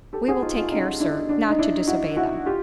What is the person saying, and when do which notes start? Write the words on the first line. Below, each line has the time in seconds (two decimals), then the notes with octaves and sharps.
"We will take care, Sir, not to disobey them."
0.13 G4 A4
0.28 F#4 G#4
0.42 D#4 F4
0.57 D#4 F4
0.72 C#4 D#4
1.00 D4 E4
1.29 D4
1.48 D#4
1.59 D4 E4
1.87 E4 F#4
2.17 E4 F#4
2.46 F4 G4